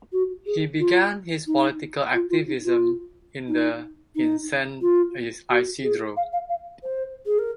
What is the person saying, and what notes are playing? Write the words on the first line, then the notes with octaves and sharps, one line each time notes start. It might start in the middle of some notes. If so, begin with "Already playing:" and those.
He began his political activism in the in San Isidro.
F#4
G#4
F4
D#4
F4
F4
D#4
F4
D#4
D#4
F4
F#4
G#4
F5
F5
F5
C5
G#4
A#4